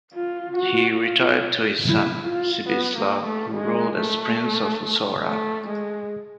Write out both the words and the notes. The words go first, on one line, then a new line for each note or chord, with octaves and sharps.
He retired to his son, Sibislav, who ruled as Prince of Usora.
F4
F#4
F4
E4
F4
B3
A#3
A3
G#3
A3
A3
G#3